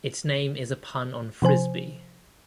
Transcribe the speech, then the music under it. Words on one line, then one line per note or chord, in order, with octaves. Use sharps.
Its name is a pun on frisbee.
C3 F3 C5 G#5